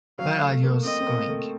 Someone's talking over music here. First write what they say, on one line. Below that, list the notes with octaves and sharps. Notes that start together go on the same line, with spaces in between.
Where are yous going?
F#3 F5
A3
A#3
C4 D#5
C4
A#3
A3